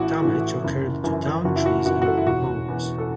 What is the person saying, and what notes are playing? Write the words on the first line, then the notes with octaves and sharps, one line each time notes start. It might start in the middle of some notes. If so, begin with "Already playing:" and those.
Damage occurred to downed trees and wooden homes.
Already playing: A1 A2 E3 E4 F#4
A2 E3
F#1
F#2 E3
F#1 F#4
E4
F#4
F#2 E3 F#4
F#4
A4
E4
E1 F#4
E2 E3
A4